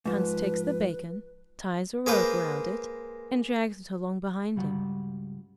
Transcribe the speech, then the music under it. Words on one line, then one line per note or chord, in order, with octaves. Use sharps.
Hans takes the bacon, ties a rope round it, and drags it along behind him.
G#2 F3 B4
G#3 A#3 B4 C5
C#2 G2 G3 F4 F#4 F#5